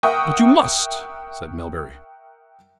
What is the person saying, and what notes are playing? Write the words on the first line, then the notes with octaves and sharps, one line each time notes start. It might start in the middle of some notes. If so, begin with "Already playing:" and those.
"But you must," said Melbury.
A#4 E5 F#5 G5 C#6 D#6